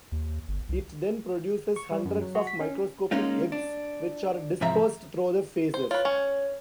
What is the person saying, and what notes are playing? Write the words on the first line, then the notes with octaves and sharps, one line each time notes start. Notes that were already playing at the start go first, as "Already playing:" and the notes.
It then produces hundreds of microscopic eggs, which are dispersed through the feces.
D#2
G1
C2
C#6
G3
F#2
F#3
F#4
B6
C#4
G#3 A#3 C#4 D#4 F4
D4
G#2 C3 F3 E4 E5 A#5
C5
F4 B4 C#5
C#4